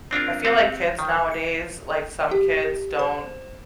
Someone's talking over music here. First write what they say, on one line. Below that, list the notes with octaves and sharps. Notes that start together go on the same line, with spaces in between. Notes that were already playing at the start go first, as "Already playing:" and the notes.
I feel like kids nowadays, like, some kids don't
C4 D4 F4 A#4
C4 F#4
D#3
C#7
G4
C5